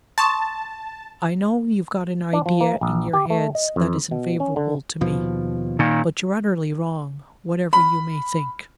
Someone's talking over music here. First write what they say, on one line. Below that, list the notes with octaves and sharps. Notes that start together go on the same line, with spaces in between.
I know you've got an idea in your heads that isn't favourable to me, but you're utterly wrong, whatever you may think.
A5 C6 C#6 D#6
D4
F3
A#3
A#1
G4
A3
D#5
F2
B2
C#4
D3
D#2 B2 F3
A#2 D#3
B5